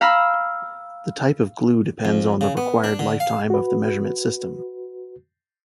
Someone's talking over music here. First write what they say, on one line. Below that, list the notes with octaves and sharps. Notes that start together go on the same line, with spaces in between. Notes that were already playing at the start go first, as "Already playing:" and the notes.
The type of glue depends on the required lifetime of the measurement system.
F5 A#5 B5 E6
F2
C#3
B3
D4
D3
F5
F#4 B4